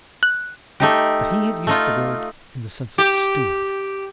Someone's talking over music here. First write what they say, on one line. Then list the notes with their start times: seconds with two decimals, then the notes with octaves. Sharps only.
But he had used the word in the sense of Steward.
0.23 F#6
0.80 A3 D#4 G4
1.67 A3 D#4 F4
2.98 G4